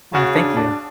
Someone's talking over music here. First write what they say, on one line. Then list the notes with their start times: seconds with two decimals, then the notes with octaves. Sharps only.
Oh, thank you.
0.14 C#3 F#4
0.35 D4
0.57 D4